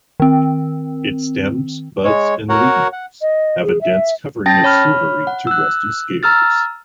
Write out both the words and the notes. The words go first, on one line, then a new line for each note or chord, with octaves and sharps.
Its stems, buds, and leaves have a dense covering of silvery to rusty scales.
D#3 C4
G#3 C#5
F#4 A#4 C#5 F#5
F#5
D#5
G#4
E5
C#4 G5 A5 A6 A#6
C#5 B5 F6
F#5
E6 F#6
A#5 E6 F6 A6